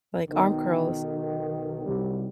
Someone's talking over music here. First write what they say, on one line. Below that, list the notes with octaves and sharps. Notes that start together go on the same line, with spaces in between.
like arm curls,
B1 D#3
C2 C3 D#3 F#3 G3